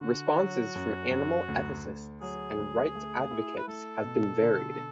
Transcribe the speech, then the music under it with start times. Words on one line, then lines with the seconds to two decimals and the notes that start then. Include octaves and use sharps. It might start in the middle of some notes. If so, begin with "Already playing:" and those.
Responses from animal ethicists and rights advocates have been varied.
0.01 D3 F#4
0.38 F#3
0.75 F#2
1.11 F#2
1.48 D2
1.85 D2
2.21 F#3 G#4
2.59 D2
2.95 A3
3.31 E4
3.57 B4
3.68 A3 A4
4.04 B2
4.41 D3